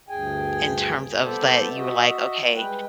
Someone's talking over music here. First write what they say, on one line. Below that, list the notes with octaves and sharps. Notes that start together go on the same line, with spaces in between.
in terms of that you were like, "Okay,
D2 G2 G#4 G5 G#5
G3 B3 A4 C5 D5 E5
F#4 D#5 E5
G3 G#3 B4 G5